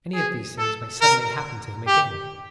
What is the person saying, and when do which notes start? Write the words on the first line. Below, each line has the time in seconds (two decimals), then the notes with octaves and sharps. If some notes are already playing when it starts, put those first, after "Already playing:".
Any of these things may suddenly happen to him again.
0.15 G#4
0.58 A4
1.01 A#4
1.87 G4